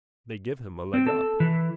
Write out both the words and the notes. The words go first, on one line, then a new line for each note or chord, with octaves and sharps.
They give him a leg up.
C4
A4
E3